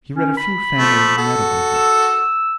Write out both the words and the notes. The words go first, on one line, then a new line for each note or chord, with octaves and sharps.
He read a few family medical books.
C#4
B5
F3 A3
F#4 A4
E6